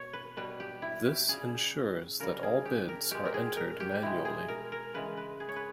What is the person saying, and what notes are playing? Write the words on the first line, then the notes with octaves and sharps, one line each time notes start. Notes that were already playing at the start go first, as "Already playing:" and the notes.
This ensures that all bids are entered manually.
Already playing: B2 C#5
B4
B2 G3 B4
G4
E4
G4
C#3 G3 G#4
C#3 G3 A#4
G#4
G4
A#4
B2 G#3 G4
A#4
G#4
A#4
G4
B2 G#3 E4
G#4
A#4
A#4
C#3 E3 G#3 B4
B4
G#4
C#5
B4